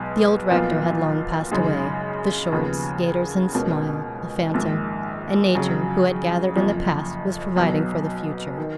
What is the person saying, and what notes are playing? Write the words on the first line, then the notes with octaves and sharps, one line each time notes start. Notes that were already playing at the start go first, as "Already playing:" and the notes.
The old rector had long passed away; the shorts, gaiters, and smile--a phantom; and nature, who had gathered in the past, was providing for the future.
Already playing: B1 B2 G#3 B3
B1 A#2 F3 B3 F4
F#2 C#3 G#3 D#4
D#2 C#3 F3 B3
C#2 B2 A#3 C#4
A#1 G#2 D#3
F2 C#3 F#3
F#1 F2 F3
B1 B2 F#3
D#3